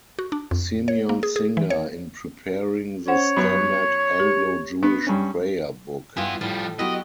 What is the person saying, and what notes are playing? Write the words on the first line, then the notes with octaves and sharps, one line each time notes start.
Simeon Singer in preparing the standard Anglo-Jewish prayer book.
F#4
D4
F2
C#5
A#3
G#4
G#4
E3
C#5
C#4 C5 C#5 F#5
F#2 B3 B5 C#6
G4
B3 D4
G2 C#4
G2 B3 E4 F4 G#5
A2 F3 G3 A6
F#3 B3 E4 F#4 G4 D#5